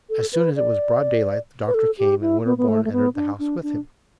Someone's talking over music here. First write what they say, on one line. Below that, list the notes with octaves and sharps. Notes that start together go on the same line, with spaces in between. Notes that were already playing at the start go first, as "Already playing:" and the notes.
As soon as it was broad daylight the doctor came, and Winterborne entered the house with him.
A4
B4
D5
B4
A4
G4
E4
B3
B3
A3
A3
B3
D4
D4
D4